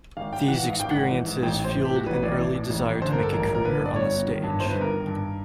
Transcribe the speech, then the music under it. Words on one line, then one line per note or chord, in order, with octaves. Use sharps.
These experiences fuelled an early desire to make a career on the stage.
G#1 F5
G#1 G5
E3 F#5
F5
G#2
F5
G#1 G5
G#1 F#5
E3
G#2
A1 G5
A1
C5
E3
A2 G4
F#4
A1 B4
A1 D5
E3
A2
A1
A1
D3 C5
G2 A#4
A4
A1 A#4
A#4
A1
A#4
D3 B4
G2
D5
G1 C#5
G1
D#3
G2
G1 C5
G1 B4
A#4
D#3
G2